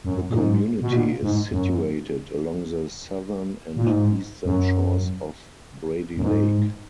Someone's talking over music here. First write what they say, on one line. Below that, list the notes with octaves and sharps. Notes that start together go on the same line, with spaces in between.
The community is situated along the southern and eastern shores of Brady Lake.
F#2
A#2
G#2
B2
A#2
G#2
F#2
A#2
G#2
F#2
F#2
G#2